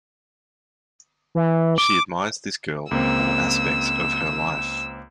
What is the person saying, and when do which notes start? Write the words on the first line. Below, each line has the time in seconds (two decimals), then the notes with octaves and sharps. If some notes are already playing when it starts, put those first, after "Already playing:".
She admires this girl in all aspects of her life.
1.35 E3
1.78 D6
2.91 C#2 A#3 C4 E6